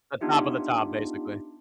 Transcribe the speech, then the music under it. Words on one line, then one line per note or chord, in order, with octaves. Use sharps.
The top of the top, basically.
B3 D4 D#4 F4 G4 E5